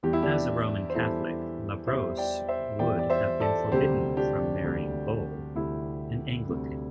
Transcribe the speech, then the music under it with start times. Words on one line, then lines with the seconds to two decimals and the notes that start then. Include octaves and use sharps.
As a Roman Catholic, LaBrosse would have been forbidden from marrying Bull, an Anglican.
0.03 E2 E3 G3 G4
0.13 E4
0.22 D4 G4
0.90 C5
0.95 E2 E3 G3 E4 A4
1.87 E2 E3 G3 C5 E5
2.17 D5 G5
2.48 C5 E5
2.79 E2 E3 G3 D5 G5
2.99 D5
3.10 C5 E5
3.40 A4 D5
3.71 D2 C3 G3 G4 C5
4.17 D4 G4
4.64 D2 C3 G3
5.55 D2 C3 G3 E4
6.48 D2 C3 G3